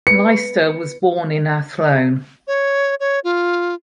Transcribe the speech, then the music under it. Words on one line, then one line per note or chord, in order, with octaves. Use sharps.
Lyster was born in Athlone.
B4 C#7
C#5
C#5
F4